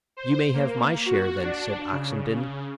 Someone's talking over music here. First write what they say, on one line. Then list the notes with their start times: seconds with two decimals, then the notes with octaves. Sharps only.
"You may have my share, then," said Oxenden.
0.17 C5
0.54 A#3
1.06 F#4
1.43 D4
1.92 C#3